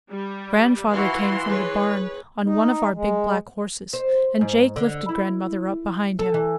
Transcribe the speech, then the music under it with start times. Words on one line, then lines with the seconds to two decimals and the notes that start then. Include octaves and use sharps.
Grandfather came from the barn on one of our big black horses, and Jake lifted grandmother up behind him.
0.11 G3
0.90 E3 E4 F#4 F5 C6
1.47 G#4 B4 C#5
2.44 D#4
2.94 G#3
3.93 C5
4.41 G#2
4.76 D3
5.09 E4
6.19 A4
6.34 E3